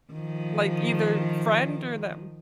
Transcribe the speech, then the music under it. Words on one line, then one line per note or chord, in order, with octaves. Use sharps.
Like either friend or them.
D#3 F3